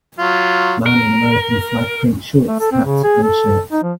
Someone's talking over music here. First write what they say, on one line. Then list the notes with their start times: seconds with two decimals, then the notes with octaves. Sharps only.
Man in American Flag print shorts, hat, and shirt.
0.19 F#3 F4
0.86 A#4
2.47 A3
2.60 A4
2.72 C4
2.85 C#3
3.03 G#4
3.23 A4
3.71 D#4
3.83 F3